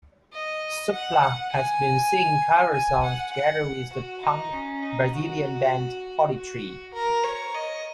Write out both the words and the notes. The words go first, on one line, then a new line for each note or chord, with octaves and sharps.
Supla has been singing cover songs together with the punk Brazilian band Holly Tree.
D#5
F#5
F#5
G#5
G#5
F#5
F#5
F#4
D#4
C#4
D#4
F#4
F#4
A#4
C#5
D#5